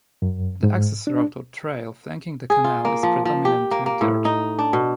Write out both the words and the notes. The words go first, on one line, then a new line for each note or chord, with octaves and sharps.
The access road or "trail" flanking the canal is predominately dirt.
F#2
G#2
D4
G#4
F4
A#3
F3
F3
G4
A#3
A#3
A2
D#4
D4
B2